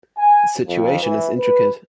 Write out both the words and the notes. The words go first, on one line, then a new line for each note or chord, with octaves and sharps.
The situation is intricate.
G#5
F2
E3
B4